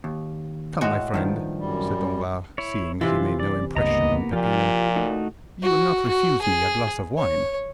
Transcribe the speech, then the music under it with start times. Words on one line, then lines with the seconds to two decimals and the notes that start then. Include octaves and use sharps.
"Come, my friend," said Danglars, seeing that he made no impression on Peppino, "you will not refuse me a glass of wine?"
0.04 D#2
0.81 A2 G#3 F#4
1.14 G2 D#3 F3
1.59 F#2 G3
2.58 E4 C#5
3.01 C3 E3 F4
3.40 D5
3.76 C#2 G2 A#3 B3 D#5 A#5
4.33 A#2 F3 F4 G4
4.96 A3 D#4 F#4
5.63 F#4
6.08 F#4
6.42 G#4
7.18 C#5